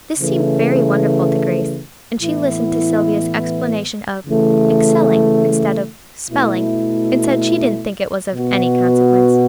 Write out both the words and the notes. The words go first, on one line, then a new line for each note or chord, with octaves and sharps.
This seemed very wonderful to Grace, and she listened to Sylvia's explanation of "excelling" instead of "spelling," and said she didn't think it was of any consequence.
C#3 E3 A3
A2 E3 B3 E4
C#3 E3 A3
B2 A3 E4
B2 B3 F#4